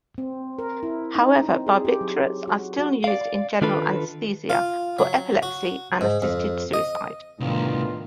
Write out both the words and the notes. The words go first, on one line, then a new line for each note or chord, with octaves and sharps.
However, barbiturates are still used in general anesthesia, for epilepsy, and assisted suicide.
C4
A#4
E4
D#4
C4
G#4
G4
F#3
F#4
F#4
D5 F5
D#3 D4 F4 A4 B4
F4
F#3
F#4
G#2
F2
D#5
C2 A2 D#3 B3 D4 F4